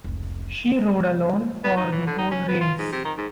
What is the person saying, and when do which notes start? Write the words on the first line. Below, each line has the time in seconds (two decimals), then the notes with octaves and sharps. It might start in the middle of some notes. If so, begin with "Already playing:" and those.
She rode alone for the whole race.
0.04 F1 C#2
1.64 B3
1.77 D#4
1.92 E3
2.06 D3
2.18 D#4
2.31 C#4
2.48 B3
2.61 F4
2.78 G#2
2.92 C3
3.04 D#3
3.17 G#2